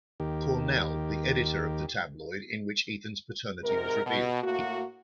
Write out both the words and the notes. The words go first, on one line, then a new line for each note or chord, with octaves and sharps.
Cornell, the editor of the tabloid in which Ethan's paternity was revealed.
D#2 D#3 G4
G#2 C3 A#4
B2
A2 A#3 F#4